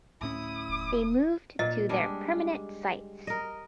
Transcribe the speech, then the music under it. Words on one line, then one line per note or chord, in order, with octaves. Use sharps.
They moved to their permanent sites.
D1 A2 C#4 E4 D#6
E1
A#2 D#5
G3 G#3 D4
A#4 D#5